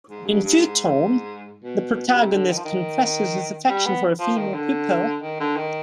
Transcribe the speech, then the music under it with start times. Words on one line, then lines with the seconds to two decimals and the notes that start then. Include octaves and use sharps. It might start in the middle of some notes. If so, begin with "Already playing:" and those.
In "Futon", the protagonist confesses his affection for a female pupil.
0.09 G#2
0.26 G2
0.43 G2
0.61 G#2
1.63 B2
2.07 B2
2.15 C3
2.32 D3
2.49 D#3
2.57 F3
2.65 D#3
3.68 G3
3.86 B3
4.19 F3
4.37 D#3
4.54 D3
5.22 D#3
5.40 D3
5.57 D#3